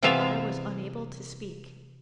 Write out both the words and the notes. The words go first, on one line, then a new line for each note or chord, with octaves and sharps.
I was unable to speak.
C3 E3 B3 F4 E5 F5